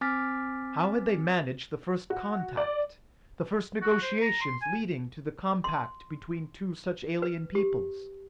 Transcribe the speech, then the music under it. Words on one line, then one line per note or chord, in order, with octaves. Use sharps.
How had they managed the first contact, the first negotiations leading to the compact between two such alien peoples?
C4 G#5 D6 F6 A6 B6
F#4
D5
F#4
C5
A#5
C6
G#5
C6
B4
G4